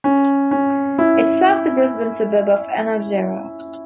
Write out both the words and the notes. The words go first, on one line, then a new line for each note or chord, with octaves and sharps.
It serves the Brisbane suburb of Enoggera.
C#4
C#4
E4